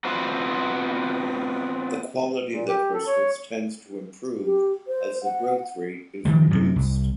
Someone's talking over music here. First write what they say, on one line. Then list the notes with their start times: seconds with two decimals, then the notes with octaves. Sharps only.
The quality of the crystals tends to improve as the growth rate is reduced.
0.04 B3 C4 F4 F#4 B4 C5
2.52 A#2
2.69 G4
2.94 A4
3.07 C#5
4.44 G4
4.88 C5
5.24 F#5
6.25 D#3 F3 G3
6.51 F#2 C3
6.76 C2